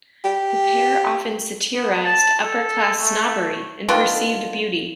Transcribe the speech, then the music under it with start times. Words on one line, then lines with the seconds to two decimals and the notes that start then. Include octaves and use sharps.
The pair often satirized upper class snobbery and perceived beauty.
0.25 G4
1.74 B3
2.05 A5
2.43 A4
3.00 A3
3.89 D3 D#3 B3 F4